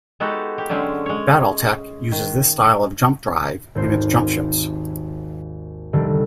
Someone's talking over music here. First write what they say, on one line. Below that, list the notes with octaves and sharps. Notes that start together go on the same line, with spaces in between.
"Battletech" uses this style of jump drive in its jumpships.
G#3 B3 D#4 F#4 G4 A4
G4
D3 F#3 G#3 C4 C#4
G#3 C#5
D#3
G#1 D#2 C4 C5 C7
F1 C2 D3 D#3 G3